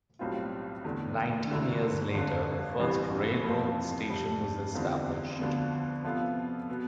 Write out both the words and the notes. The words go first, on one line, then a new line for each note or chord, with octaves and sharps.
Nineteen years later, the first railroad station was established.
B1 A2 G3 C4 F4
E2 D3 A3
E1 D2 D3 A3 E4
G1 F2 D3
A1 G2 E3 G3 C4
F2 C3 F3 C4
F2 C3 G3
E2 D3 G3 C4 F4
D2 D3 F3 B3
C3 F3 B3 F4 A4
B2 B3